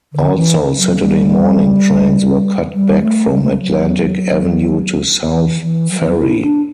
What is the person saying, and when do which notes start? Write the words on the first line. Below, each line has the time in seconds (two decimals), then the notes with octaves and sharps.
Also, Saturday morning trains were cut back from Atlantic Avenue to South Ferry.
0.13 D3
0.35 E3
0.78 F#3
1.00 G3
2.73 G3
3.02 A3
3.31 G3
3.43 A3
3.51 G3
3.60 F#3
5.32 E3
5.62 E3
5.91 F#3
6.00 E3
6.08 F#3
6.19 E4
6.42 D4